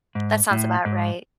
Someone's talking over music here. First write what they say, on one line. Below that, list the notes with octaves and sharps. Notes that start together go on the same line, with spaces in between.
That sounds about right.
G#2
A2
G#2